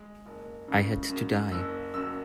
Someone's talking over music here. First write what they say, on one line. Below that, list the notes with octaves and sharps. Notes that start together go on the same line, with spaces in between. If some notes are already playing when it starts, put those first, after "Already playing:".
I had to die.
Already playing: G#3
F#1
C#3
F#2
F#1 E6
F#2 E6